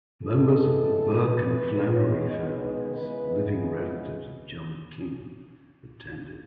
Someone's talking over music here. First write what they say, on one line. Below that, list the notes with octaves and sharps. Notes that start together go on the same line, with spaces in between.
Members of the Burke and Flannery families, living relatives of John King attended.
A2 E3 G#3 B3 A4
B4
D#3 G#3 B3
C#5
D#5
B4
C#3 E3 G#3 B3 B4